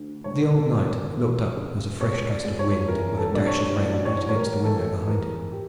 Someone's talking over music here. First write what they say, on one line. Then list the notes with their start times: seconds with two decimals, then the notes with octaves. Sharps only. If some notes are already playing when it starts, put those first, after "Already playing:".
The old knight looked up as a fresh gust of wind with a dash of rain beat against the window behind him.
Already playing: D2
0.24 E1 C#5
0.39 A#4
0.52 A4
0.66 E1 A#4
1.13 E3
1.56 C#3
2.00 C#2 C#5
2.30 D5
2.44 C#2
2.59 C#5
2.88 E3 A#4
3.18 A4
3.32 G2 D5
3.47 C#5
3.76 A1 D5
3.94 D5
4.05 C#5
4.20 A1
4.29 C#5
4.35 A#4
4.64 E3 A4
5.08 E2 A#4
5.52 G4